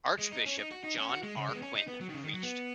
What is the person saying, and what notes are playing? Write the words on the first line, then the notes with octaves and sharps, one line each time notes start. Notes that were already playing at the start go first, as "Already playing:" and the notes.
Archbishop John R. Quinn preached.
G#3
D#4
C#4
D#4
F#4
D#4
C#4
F#4
G#3
C#3
G#3
B3
C#4
D#4
B3
F#3
D#3
C#3
D#3
F#3
B3